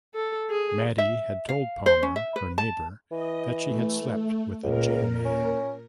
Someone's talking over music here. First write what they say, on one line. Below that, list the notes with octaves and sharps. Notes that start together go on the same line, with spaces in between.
Maddie had told Palmer, her neighbor, that she had slept with a J man.
A4
G#4
E5
F5
C5
C#4
E5
B4
A5
E3 D#5
A3
C#2 A#2 A#4
C#4